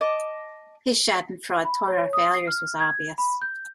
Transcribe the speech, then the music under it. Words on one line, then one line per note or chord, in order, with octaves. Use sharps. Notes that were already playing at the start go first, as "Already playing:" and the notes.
His Schadenfreude toward our failures was obvious.
D#5 A5 D6
B5
C#5
D#6
C7
F6
G#6
B5
G6